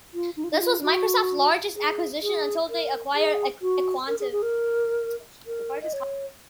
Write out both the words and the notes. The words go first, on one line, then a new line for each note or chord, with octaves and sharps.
This was Microsoft's largest acquisition until they acquired aQuantive.
F4
D#4
F4
D#4
F4
F#4
G#4
G#4
A#4
G#4
F#4
A#4
G#4
G#4
A#4
A#4
D#5
C#5